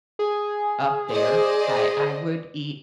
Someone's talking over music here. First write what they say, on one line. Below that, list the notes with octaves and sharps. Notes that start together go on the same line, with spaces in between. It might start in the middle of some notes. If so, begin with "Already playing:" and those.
up there. I I would eat
G#4
C5 D5 D#5